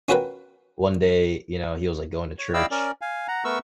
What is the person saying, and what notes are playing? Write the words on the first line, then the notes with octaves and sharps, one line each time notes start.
one day, you know, he was, like, going to church
C#4 F4 F#4 A#4 B4 G5
C#5
E4 D5 D#5 F5 G5 E6
C#4 A#4 D5
F5 G#5
F#5 A#5
A3 B3 A#4 B4 C#6 E6